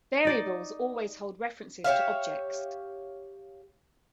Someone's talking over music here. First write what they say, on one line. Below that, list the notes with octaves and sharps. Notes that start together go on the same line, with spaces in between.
Variables always hold references to objects.
D#4 D5 D#5
G4 C#5 E5 F5